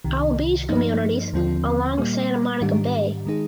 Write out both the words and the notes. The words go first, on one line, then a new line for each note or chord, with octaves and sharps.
All beach communities along Santa Monica bay.
C2 C3 D#3
G2 F3 A#3 D#4
D#2 D3 F3 C4 F4
A#2 G3 A#3
G#2 D#3 G3 D4 G4
D#3 G#3 D#4 G#4